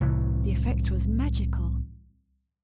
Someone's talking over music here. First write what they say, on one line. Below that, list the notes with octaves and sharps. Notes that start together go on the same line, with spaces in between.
The effect was magical.
C2 A2 E3